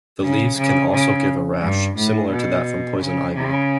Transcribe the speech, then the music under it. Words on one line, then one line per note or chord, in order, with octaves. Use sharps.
The leaves can also give a rash similar to that from poison ivy.
C#3
C#3
C#3
G2
A2
B2
C#3
C#3